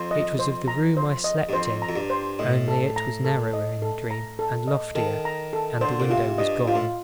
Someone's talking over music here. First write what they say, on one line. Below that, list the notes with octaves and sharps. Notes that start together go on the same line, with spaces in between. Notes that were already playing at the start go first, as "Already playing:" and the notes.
It was of the room I slept in, only it was narrower in the dream, and loftier, and the window was gone.
Already playing: F2 C5
D#5
C5
A#5
C5
D#5
G2
F2 C5
A#5
F2
G2
C5
A2 D#5
A4
A#5
A4
D#5
A4
A#5
A4
D#5
D#3 A4
A#5
A4
D3 C5
A#2
C3 F4
G2 D#5
G2 F4
A2